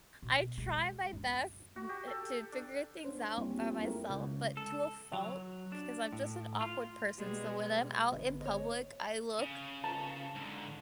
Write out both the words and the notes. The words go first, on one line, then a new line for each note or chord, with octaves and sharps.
I try my best n eh, to figure things out by myself, but to a fault, because I'm just an awkward person, so when I'm out in public, I look
B2
G#3
F#2
F#4
G4
A4
D4
C#4 D4 C5
G3 A#3 C4 C#4 E4
F4 G4
A3 D4 E4 G#4 A#4
C#2
A4
F#3
D4
A2
F4
B2 G3 G#3
G#1 D3 B3
C#5 D#5
C#3
A5
G#2 D3